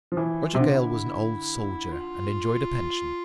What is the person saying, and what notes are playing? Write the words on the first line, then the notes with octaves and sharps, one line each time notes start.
Roger Gale was an old soldier, and enjoyed a pension.
F3
E3 E4
F4
C3
D3
E4
F4